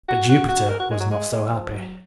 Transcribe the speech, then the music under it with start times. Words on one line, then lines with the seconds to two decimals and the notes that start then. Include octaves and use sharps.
But Jupiter was not so happy.
0.08 F#4
0.29 F#4
0.48 F#4
0.69 A#4
0.79 F#4
0.90 G#3
1.00 F#3
1.11 G#3
1.31 G#3
1.51 F3
1.72 F#3